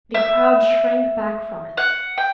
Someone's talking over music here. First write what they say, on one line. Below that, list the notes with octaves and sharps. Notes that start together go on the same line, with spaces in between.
The crowd shrank back from it.
E5
F#5
G5